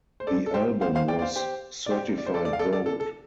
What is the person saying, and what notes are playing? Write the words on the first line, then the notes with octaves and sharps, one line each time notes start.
The album was certified gold.
C5
A4 D5
A4
G4 C5
C5 F5
C5 F5
D5 G5
D5
C5 F5
G4 C5
D5
G4 C5
D5
C5
A4 D5
A4 D5
F5
A4 D5
A4 D5
A4
A4